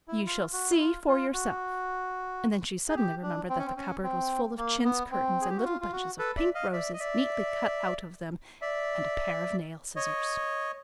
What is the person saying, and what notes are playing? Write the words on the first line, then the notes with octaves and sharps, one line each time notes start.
"You shall see for yourself"--and then she suddenly remembered that the cupboard was full of chintz curtains and little bunches of pink roses, neatly cut out of them, and a pair of nail scissors.
E4
F4
F#4
E4
F4
F4
F#4
G#4
G4
D4
C4
C#4
C4
C#4
C4
A#3
B3
C4
G#4
G4
F#4
F4
F4
F#4
A4 B4
D5 E5
D#5 F5
D5 E5
D#5
D5 E5
D5 E5
C#5 D#5